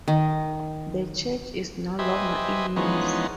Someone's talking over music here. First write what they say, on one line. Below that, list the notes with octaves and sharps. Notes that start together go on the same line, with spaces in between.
The church is no longer in use.
D#3
G4 B4 C5 D#5 E5 G#5
E3 F3 G#3 B3 C#4 D#4